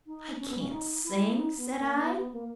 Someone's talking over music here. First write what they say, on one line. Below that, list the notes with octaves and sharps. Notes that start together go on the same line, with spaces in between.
"I can't sing," said I.
D#4
C#4
B3
C#4
D#4
E4
D#4
B3
A#3
B3
B3
A#3